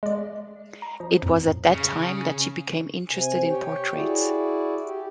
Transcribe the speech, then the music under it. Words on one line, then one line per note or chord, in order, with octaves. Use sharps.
It was at that time that she became interested in portraits.
G#3 D5
A#5
F3
F2 A2
C#3
C3 G#5
G4 C#5 G5
E4 F#4 G#4 D5
G4